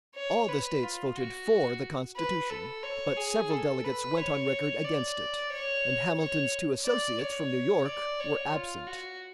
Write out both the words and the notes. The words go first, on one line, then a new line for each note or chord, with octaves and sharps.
All the states voted for the Constitution, but several delegates went on record against it, and Hamilton's two associates from New York were absent.
C#5
B4
F4
F#4
B4
A4
C#5
G#4
A4
B4
C#5
D5
C#5
C#5
D5
C#5
D5
C#5
F4
F#4